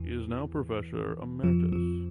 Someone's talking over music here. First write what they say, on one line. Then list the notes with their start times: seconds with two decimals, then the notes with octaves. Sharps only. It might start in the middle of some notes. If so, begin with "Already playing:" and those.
He is now Professor Emeritus.
Already playing: E2 E3
1.43 F2 F3
1.72 F2 F3